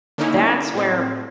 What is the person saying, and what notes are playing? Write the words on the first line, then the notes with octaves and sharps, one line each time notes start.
that's where
D3 A#3 C#4 D#4 E4
A2 C4